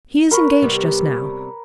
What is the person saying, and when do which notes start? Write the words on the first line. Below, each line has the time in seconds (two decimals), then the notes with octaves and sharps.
He is engaged just now.
0.31 A#4 B4 C#5
0.62 C3 G3 B3